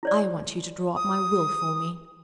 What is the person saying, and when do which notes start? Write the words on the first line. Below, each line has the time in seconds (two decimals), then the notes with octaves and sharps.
"I want you to draw up my will for me."
0.03 E4 C#5 D5
0.96 D#6